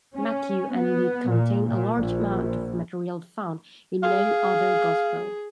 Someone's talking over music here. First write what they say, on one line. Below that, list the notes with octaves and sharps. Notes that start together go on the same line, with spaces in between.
Matthew and Luke contain a large amount of material found in no other gospel.
C#4
B3
A#2
A#2
A#1
G#4 F5